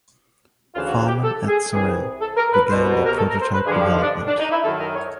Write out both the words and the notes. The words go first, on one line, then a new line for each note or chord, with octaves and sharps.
Farman at Suresnes, began their prototype development.
D2 C#3 E3 F4
F#4
F4
G4
A4
G#4
C2 C3 E3 G#4
A4
A#4
B4
C2 B2 C5
B4
A#4
A#4
A4
A#4
C5
B4
G2 D3 F3 G#4
G4
D#4
D4
D4
D#4
E4
F#2 D#3 A4
A#4
C#5